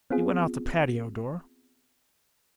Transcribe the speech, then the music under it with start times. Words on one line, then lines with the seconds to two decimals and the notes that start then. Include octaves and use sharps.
He went out the patio door.
0.10 B3 C4 F4 G#4